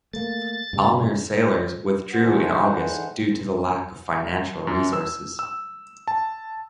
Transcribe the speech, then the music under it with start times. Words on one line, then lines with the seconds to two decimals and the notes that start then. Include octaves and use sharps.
Almere Sailors withdrew in August due to the lack of financial resources.
0.13 A3 A#3 A6
0.73 G2 C#3 G3
2.13 E2 G#2 D3 E3 C5 F#5
4.67 F#2
4.93 E6
5.39 E6
6.07 A5